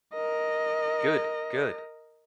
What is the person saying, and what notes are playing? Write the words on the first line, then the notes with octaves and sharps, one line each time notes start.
Good, good.
A#4 D#5